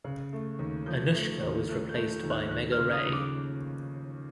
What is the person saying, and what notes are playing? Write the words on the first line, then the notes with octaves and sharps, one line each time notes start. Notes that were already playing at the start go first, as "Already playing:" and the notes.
Anushka was replaced by Megha Ray.
C#3 F#6
A3
D#2
F3 G6
A3
D#2
A3 F#6
G6
A3
G6
D#2
F#6
D#2 F#6
F6
C#3
D#6
C#3
D6